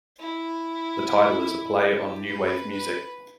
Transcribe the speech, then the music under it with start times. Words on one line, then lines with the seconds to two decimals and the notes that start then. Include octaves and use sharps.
The title is a play on new wave music.
0.20 E4
1.87 G4
2.30 B4
2.72 B4